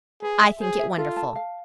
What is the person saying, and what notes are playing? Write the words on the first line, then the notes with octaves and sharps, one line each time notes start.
I think it wonderful.
G#4 B4
E5
G#4 C5
E5
F4 A4
A5
F5